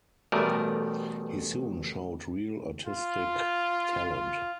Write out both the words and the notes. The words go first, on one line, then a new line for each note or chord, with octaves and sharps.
He soon showed real artistic talent.
A1 B2 G3 A3 A#4 D5
F4
F4